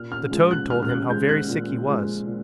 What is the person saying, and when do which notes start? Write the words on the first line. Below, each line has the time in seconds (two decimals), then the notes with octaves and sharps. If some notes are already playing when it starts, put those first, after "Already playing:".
The toad told him how very sick he was.
Already playing: A#2 F6
0.12 F6
0.31 F3 G#3
0.51 F#6
0.70 A#2 F6
0.83 F6
0.89 F#6
1.09 F3 G#3 G6
1.29 F#6
1.48 A#2
1.88 F3 G#3
2.27 A#2